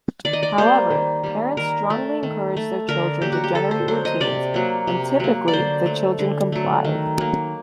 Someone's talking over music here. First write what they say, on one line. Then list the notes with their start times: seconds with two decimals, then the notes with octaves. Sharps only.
However, parents strongly encouraged their children to generate routines and, typically, the children complied.
0.25 D#3 D5
0.33 D#5
0.43 D5
0.58 G3 A#3 C5
0.90 D#3
1.23 G3 A#3
1.57 D#3 A#4
1.90 A3
2.23 D#3
2.57 A3
2.89 D3 A#4
3.22 F#3 A#3 G4
3.32 F#4
3.44 G4
3.55 D3 A4
3.71 C5
3.88 F#3 A#3 C5
4.05 D#5
4.20 C3 D5
4.54 F#3 A#3
4.87 C3
5.20 F#3 A#3
5.48 D5
5.53 D3 C5
5.86 F#3 A3
6.19 D3
6.52 F#3 A3
6.85 D#3
7.18 F#3 A#3